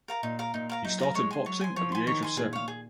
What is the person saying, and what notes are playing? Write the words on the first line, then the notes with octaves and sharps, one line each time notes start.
He started boxing at the age of seven.
A#4 F5 A#5
A#2 D#4
A#4 F5 A#5
A#2 D#4
A#4 F5 A#5
F#3 D#4
A#4 F5 A#5
G#3 C#5
G#5 C6
F#3 C#5
G#5 C6
F3 C#5
G#5 C6
D#3 C#5
G#5 C6
A#2 G#4
C#5 F5
G#4